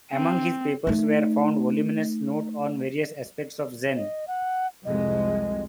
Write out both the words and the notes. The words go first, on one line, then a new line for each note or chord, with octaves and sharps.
Among his papers were found voluminous notes on various aspects of Zen.
C4
A3 D#4
D#5
F#5
C2 F2 G#3 D#5